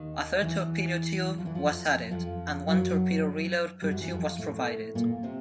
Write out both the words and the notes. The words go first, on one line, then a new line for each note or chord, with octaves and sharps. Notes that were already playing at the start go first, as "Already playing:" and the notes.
A third torpedo tube was added, and one torpedo reload per tube was provided.
Already playing: D#2 D#3
E2 E3
F3
E2 E3
F2 F3
F2 F3
F#2 F#3
G2 G3
F#2 F#3
E2 E3
F2 F3
A2 A3
A#2 A#3
C3 C4